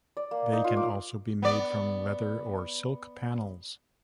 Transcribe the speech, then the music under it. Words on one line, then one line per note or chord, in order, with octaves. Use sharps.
They can also be made from leather or silk panels.
D5
A#3
D#4
F4
D6
B3 D5